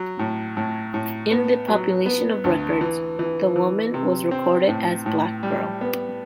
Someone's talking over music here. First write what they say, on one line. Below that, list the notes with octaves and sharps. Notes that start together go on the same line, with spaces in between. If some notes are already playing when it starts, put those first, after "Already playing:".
In the Population of Record, the woman was recorded as Black Girl.
Already playing: F#3
A2
A2
A2
B3
F#3
B3
D2
E3
E3
E3
C3
C4
A2
A2
G3
B3